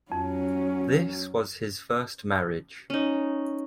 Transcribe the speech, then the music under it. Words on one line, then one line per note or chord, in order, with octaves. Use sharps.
This was his first marriage.
F2 F#3 C#4
C#4 D#4